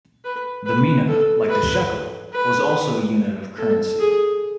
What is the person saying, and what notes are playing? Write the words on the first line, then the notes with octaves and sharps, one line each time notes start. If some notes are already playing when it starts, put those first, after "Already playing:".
The mina, like the shekel, was also a unit of currency.
B4
B4
A4
B4
B4
A4
G#4